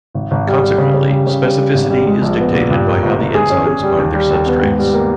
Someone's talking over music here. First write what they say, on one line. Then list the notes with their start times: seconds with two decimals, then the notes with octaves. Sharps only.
Consequently, specificity is dictated by how the enzymes bind their substrates.
0.14 G#1
0.31 G#1
0.47 G3
0.62 G3
0.78 C#3
0.94 C#3
1.10 G3
1.27 C#3
1.43 G3
1.58 G3
1.74 G#1
1.90 G3
2.06 G#3
2.22 A#1
2.38 B3
2.54 A#2
2.70 G2
2.87 A#3
3.02 G1
3.18 G1
3.35 G#4
3.50 C#4
3.66 G#4
3.82 G3
3.98 D#2
4.14 G3
4.30 D#2
4.47 B3
4.63 G#2
4.79 G3
4.94 A#3